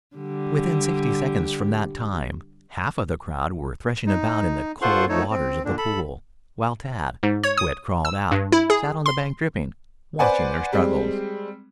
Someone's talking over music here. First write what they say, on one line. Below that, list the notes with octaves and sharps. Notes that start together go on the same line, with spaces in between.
Within sixty seconds from that time half of the crowd were threshing about in the cold waters of the pool, while Tad, who had crawled out, sat on the bank dripping, watching their struggles.
D3 G3
D#4
F4 A4 C5 F#5 C6 C#6
F3 A3 D#4 A4 C#5
C4
A#2 D3 D4
A4 B5
G#2
C#5
D#6
E6
G2
E4
G#4
C6
B4 C5 D5 F#5 G#5
G3 G#3 C4